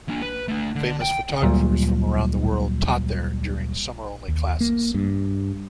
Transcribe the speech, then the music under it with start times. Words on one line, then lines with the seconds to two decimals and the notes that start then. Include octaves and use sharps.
Famous photographers from around the world taught there during summer-only classes.
0.09 A#3 D4
0.22 B4
0.48 A3 D4
0.75 D3
1.02 G5
1.42 D2 A#2 F#3 G3
4.28 D#2
4.61 A#3
4.94 G2